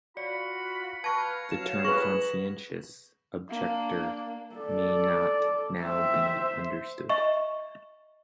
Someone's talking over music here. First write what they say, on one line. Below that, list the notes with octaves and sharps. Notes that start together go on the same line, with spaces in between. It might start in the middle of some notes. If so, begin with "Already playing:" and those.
The term conscientious objector may not now be understood.
F4 F#4 D5 B5 C#7
B4 F5 A5 C#6 G#6 A#6
F#3 F5 E7
G#4 B4 C#6 A#6 F#7
A#3 D4
A4 D5
C4 E5
C5
D#5 E5 C#6